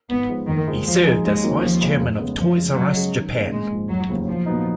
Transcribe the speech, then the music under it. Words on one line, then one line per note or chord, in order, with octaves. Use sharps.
He served as Vice-Chairman of Toys 'R' Us Japan.
G#1 B3
G#2 F3 G#3
F#1 D#3
F2 F3 G#3
C#2 F3
B2 G#3 D#4 G#4
D#2 G#3
D#3 F#3 A#3 C#4
D#2 F3
C#3 G#3 C#4 F4
F1
F2 C#3 G#3 B3
F#2 F3
C#3 G#3
C#3 F#3
G#3 C#4 G#4 D#5
D#3
A#3 C#4 G#4
A#1 G#3
G#2 F3
F1 F#3
D#2 C#3 F3
A#1 F3
A#2 F#3 B3 D#4